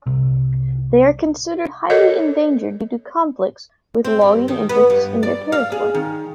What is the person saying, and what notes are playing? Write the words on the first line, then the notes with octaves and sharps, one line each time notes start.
They are considered highly endangered due to conflicts with logging interests in their territory.
C2
A4 A#4 C#5 D#5
C4
G2
D#3
B3
G2
D5
F5
G#4
D#3